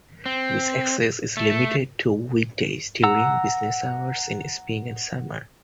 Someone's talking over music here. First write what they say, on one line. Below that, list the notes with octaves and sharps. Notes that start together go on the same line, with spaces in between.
This access is limited to weekdays during business hours in spring and summer.
C4
A3
F#5 A#5 E6